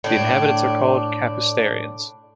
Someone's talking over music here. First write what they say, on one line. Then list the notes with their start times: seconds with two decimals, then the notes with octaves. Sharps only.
The inhabitants are called "Capesterriens".
0.04 A2 D4